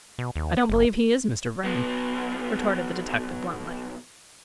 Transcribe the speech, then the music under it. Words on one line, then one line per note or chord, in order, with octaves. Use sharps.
"I don't believe he is Mr. Vrain," retorted the detective bluntly.
B2
D#2
B3
F#1
B1 B3